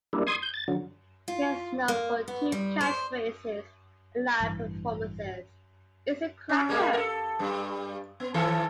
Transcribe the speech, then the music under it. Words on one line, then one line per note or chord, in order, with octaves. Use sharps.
He is known for two catchphrases in live performances: It's a cracker!
G3 A#3 D4 E4
C6 D#6 G#6
G6
A6
D3 F#3
F4
A#3
B3
G3
C5
A1 G2 E3
C#4
G3 G#3 A#3
A4 A#4
G2 G3
B3
D#3 E3 A4